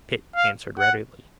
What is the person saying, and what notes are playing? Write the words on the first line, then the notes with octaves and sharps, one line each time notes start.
Pitt answered readily.
F5
F#5